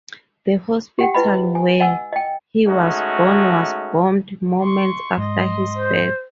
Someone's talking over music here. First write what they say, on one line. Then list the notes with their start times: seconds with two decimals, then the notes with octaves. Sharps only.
The hospital where he was born was bombed moments after his birth.
0.99 G4 F#5 G5
1.14 E4 B4 D#5 B5
1.55 G#5
1.80 D#5 F#5 G#5 E6
2.12 D#5 G5
2.66 G#3 A3 C#4 D#4 F#4
4.61 C6 C#6
5.18 G#2 D#5 C6
5.76 C5